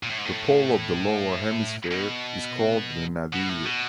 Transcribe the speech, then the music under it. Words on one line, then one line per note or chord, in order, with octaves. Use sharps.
The pole of the lower hemisphere is called the nadir.
A#2
A2
G#2
A2
B2
B2
A2
B2